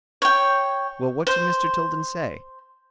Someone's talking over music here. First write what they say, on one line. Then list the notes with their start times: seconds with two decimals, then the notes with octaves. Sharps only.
"Well, what did Mr. Tilden say?"
0.22 C#5 G5
1.27 C5